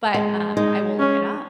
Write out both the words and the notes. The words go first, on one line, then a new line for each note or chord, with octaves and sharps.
But, um, I will look it up.
G#3
G#3 D#4
C#4